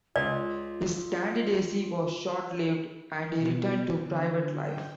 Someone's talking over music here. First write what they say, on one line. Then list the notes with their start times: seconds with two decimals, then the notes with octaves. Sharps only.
His candidacy was short-lived and he returned to private life.
0.16 C#2 F4 D5
3.37 B2
4.01 D3
4.58 G5